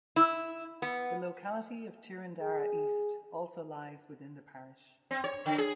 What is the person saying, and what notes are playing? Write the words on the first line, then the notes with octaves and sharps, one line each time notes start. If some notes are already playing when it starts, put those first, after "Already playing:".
The locality of Tyrendarra East also lies within the parish.
E4
B3
G#4
C4
C#5
D3
G#4